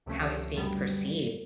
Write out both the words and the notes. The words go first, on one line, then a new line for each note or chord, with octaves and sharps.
How he's being perceived?
C#2 C3 F3 A3 C#4
F#2 D3 G3 B3